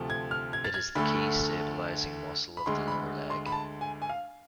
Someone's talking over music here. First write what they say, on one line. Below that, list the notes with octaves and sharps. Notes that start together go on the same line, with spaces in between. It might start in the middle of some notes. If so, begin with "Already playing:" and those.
It is the key stabilizing muscle of the lower leg.
Already playing: D2 C3 F3 A3
G#6
F6
G#6
A6
G#6
D2 D3 A3 B5
B5
D2 D3 G#3 C6
B5
C6
B5
A5
G#5
G#5
F5